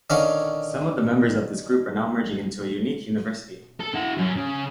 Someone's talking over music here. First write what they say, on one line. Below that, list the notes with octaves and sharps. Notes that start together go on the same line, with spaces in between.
Some of the members of this group are now merging into a unique university.
D3 D#3 C#4 C#5 F5
A4
E4 F#4
F#2
C#3